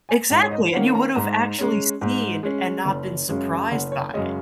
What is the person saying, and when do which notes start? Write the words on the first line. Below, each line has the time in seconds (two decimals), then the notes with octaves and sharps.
Exactly! And you would've actually seen and not been surprised by it.
0.09 G#5
0.30 G#2 F#5
0.43 C#5
0.51 D#5
0.74 D#3 A#3 C#4 F#5
0.95 A#5
1.15 G#2 A#5
1.59 G#3 C#4
2.01 G#2
2.43 G#3 C#4
2.85 F#1
3.28 F#2 C#3 G#3 C#4
3.71 F#1 F#5
3.92 C#5
4.14 F#2 C#3 G#3 C#4 D#5